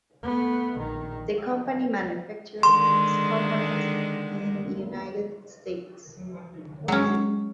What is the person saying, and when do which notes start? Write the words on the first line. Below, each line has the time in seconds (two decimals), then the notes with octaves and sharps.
The company manufactures its components in the United States.
0.23 A3 B3
0.78 A#1 D#3
2.63 D3 D#3 G#3 C6
6.88 F#3 G#3 C#4